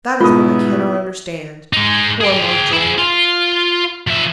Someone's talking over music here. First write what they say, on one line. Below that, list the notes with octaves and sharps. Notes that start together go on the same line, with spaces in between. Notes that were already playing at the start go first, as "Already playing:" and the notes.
That is what I cannot understand. Poor Mountjoy!
G#2 B2 B3 E4 F4 D#6
G#3 D#4
G#4 G5
E4 G#4
F4
F3 E5